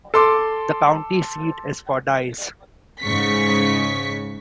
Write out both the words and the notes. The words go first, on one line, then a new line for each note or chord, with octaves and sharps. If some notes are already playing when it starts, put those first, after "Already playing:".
The county seat is Fordyce.
A4 C6 D6
G#2 C#3 C#6 B6